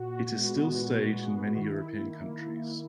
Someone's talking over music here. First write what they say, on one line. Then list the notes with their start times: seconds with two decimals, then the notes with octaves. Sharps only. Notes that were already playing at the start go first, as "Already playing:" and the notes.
It is still staged in many European countries.
Already playing: A#2 F#4
0.32 G#3 B3
0.74 A#2
1.15 G#3 B3
1.57 D#3 E4
1.99 A#3
2.40 D#3